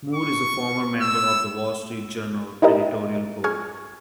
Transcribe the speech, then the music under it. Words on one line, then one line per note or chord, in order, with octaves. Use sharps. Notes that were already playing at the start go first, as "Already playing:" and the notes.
Moore is a former member of the "Wall Street Journal" editorial board.
C#6
E6
D#4 E4 G4 A#4 D#5
G#4 C#6 F6 G#6